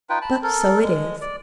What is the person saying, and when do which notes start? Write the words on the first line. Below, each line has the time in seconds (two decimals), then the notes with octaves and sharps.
But so it is.
0.10 D#4 F4 B4 G5
0.22 A5 B5
0.43 A4 A#4
0.83 G#3
1.21 D5